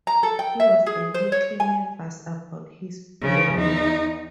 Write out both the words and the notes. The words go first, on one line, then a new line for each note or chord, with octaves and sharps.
He was a little nervous about his bearing.
A#5
A4
G5
E5
G#4
C5
C#5
G#5
C#3 F3
E2 D#4